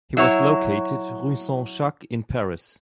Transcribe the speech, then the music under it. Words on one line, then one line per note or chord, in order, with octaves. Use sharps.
He was located Rue Saint Jacques, in Paris.
F#3 E4 C#5